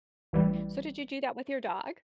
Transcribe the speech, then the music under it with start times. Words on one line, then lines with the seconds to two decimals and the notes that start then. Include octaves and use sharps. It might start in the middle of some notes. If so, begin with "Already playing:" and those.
So, did you do that with your dog?
0.33 A1 E3 G3